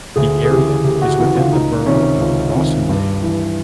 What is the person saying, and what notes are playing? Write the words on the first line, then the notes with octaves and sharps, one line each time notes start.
The area is within the Borough of Rossendale.
D2 G#4
G#4
C#3 E3 G4
D2 G4
F#4
C#3 E3 F#4
F4
C#2 D#4
C3 D#3 C#4
C#2
C3 D#3
G2
E3